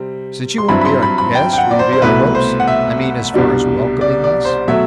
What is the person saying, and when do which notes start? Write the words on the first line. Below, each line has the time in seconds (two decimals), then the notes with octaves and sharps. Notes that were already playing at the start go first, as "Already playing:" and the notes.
Since you won't be our guest, will you be our host--I mean, as far as welcoming us?
Already playing: C3 G3 C4
0.58 C6
0.69 G2 F#3 C4 E4 B5
0.81 B5
0.85 C6
1.03 B5
1.18 B5
1.35 G5
1.53 G5
1.58 F#5
1.71 D5
1.79 C5
1.93 C5
2.02 C2 B2 A3 E4 B4
2.35 C5
2.60 F#5
2.67 E5
3.34 C2 B2 G3 D4
4.01 D5
4.24 D5
4.45 C5
4.68 B2 F#3 A3 E5